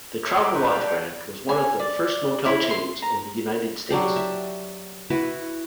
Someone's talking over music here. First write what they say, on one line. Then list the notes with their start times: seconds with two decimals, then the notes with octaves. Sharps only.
The Travelodge brand was one of the first motel chains in the United States.
0.25 C#5 E5
0.40 A#3 E4 A#4 D6
0.54 A#2 B4 C5 A#5 C#6
0.70 D4 D5 E5 F5 G5
0.87 C#5 F5 G5
1.49 G#5
1.80 D5
2.46 E4
2.71 C6
3.02 A#5
3.90 F#3 D4 G4
4.16 E5
5.10 E4 F#4 B4